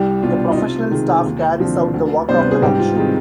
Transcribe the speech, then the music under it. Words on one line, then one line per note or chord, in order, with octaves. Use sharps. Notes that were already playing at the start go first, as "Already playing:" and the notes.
A professional staff carries out the work of the Commission.
Already playing: C2 G3 G4
B2 G3 D4 F4
D#4
C3 F4
D#3 G#3
D#2
D3 F3 C4
D2
C3 G3 B3 D4 C5
B4
G#4
G#2 G3 G4
F4
D#3 G#3 C4 F4